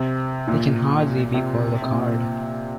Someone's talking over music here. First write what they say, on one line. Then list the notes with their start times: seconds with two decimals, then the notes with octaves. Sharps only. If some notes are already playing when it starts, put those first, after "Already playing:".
It can hardly be called a card.
Already playing: C3
0.47 A#2
1.34 C3
1.82 C3
1.92 A#2